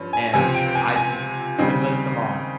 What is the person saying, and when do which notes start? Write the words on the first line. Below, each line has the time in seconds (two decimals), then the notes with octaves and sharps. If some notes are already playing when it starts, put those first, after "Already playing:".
and I just can list them all.
Already playing: G2 F3 C#4
0.13 G#5
0.33 C#2 C3 F3 C4 G#5
0.54 G5
0.75 G#5
0.96 G#5
1.59 D#2 C#3 G3 C4 D#4